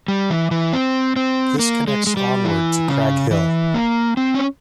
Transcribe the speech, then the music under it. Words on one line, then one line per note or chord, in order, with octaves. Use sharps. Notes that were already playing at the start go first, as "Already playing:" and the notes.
This connects onward to Crag Hill.
G3
E3
E3
C4
C4
A#3
G#3
G#3
G3
E3
C#3
E3
A#3
C4
C#4